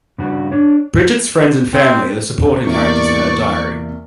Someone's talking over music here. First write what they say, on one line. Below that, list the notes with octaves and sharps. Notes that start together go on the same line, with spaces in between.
Bridget's friends and family are the supporting characters in her diary.
G2 C#3 F#4
D4 C#5
C4
E2 C3 A#3 D5 C#6